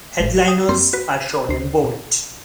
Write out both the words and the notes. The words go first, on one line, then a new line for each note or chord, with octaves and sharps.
Headliners are shown in bold.
G#1 A2
G5 D#6
F#2 A#3 C4 C6
F#4 B4
D2 C5
B2